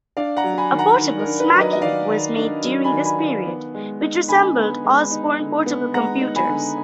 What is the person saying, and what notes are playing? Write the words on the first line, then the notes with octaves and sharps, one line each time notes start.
A portable Smaky was made during this period, which resembled Osborne portable computers.
D4 D5 F5
F#5 A#5
F#3
G#5 B5
D#3
F#5 A#5
D#3
A#4
D4
B4
F#3
B4 D#5
D#5
D#3 D5 F5
D#3
D4
F#3
G#5 B5
D#3
G#5 B5
D#3
B3
G#3
D#4
D3 G#5 B5
B3
G#3
D#4
D3
B3
G#3 F#5 A#5
D#4
G#5 B5
D3